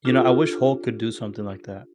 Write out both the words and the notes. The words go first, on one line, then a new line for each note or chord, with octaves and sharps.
You know, I wish Hulk could do something like that.
D4 F4 G4 A4